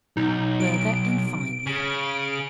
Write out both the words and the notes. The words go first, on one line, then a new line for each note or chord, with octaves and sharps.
Further, and finally.
B1 D#4
D7
C#3